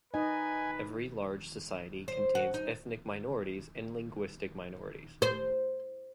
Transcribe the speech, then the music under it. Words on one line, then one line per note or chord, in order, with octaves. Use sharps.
Every large society contains ethnic minorities and linguistic minorities.
D#4 B4 D#5 G#5
C5
F#4
D#4
C5